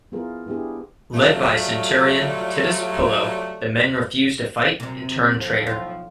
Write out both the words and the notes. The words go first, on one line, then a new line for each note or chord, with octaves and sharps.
Led by centurion Titus Pullo, the men refused to fight, and turned traitor.
B3 E4 F4 G#4 A#4
B3 D4 E4 G4 G#4
F#3 G3 A3 F4 D5
F#2 C3
B1 A2 F3
F4